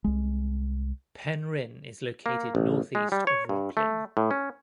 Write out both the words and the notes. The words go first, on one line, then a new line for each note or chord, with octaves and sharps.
Penryn is located northeast of Rocklin.
C2 G#3
A#3
A1
G#3
G3
C#5
G2
A3
A2
C#4